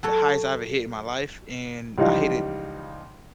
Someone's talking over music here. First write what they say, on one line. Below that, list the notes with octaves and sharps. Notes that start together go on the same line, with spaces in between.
the highest I ever hit in my life, and I hit it
F#3 A4 C#5
C#2 E3 F3 G3 D#4 F5